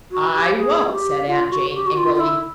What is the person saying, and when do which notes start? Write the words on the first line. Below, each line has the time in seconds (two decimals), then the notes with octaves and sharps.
"I won't," said Aunt Jane, angrily.
0.11 F#4
0.35 G4
0.58 G#4
0.88 F#4
0.93 G4
1.27 F4
1.50 F#4
1.74 G4
1.87 F#4
1.97 F4
2.15 F4
2.20 E4